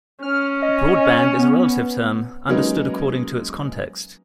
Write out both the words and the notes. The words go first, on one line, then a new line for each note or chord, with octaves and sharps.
"Broadband" is a relative term, understood according to its context.
C#4 F6
D#5
B3
F#3 G#3 A#3 C#4 D#4 B4